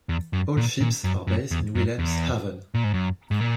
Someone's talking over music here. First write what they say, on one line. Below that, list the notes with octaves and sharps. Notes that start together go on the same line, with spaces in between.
All ships are based in Wilhelmshaven.
E2
F#2
A#2
A#2
F#2
F#2
E2
F#2
E2
A#2
G#2
F#2
G#2
A#2